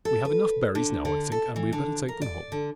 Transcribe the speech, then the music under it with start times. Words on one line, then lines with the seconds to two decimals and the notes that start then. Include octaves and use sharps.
We have enough berries now, I think, and we had better take them home.
0.05 A4
0.25 B4
0.75 D3
1.05 D3
1.32 A4
1.56 E3
1.73 D3
2.08 A#4
2.22 D5
2.52 D3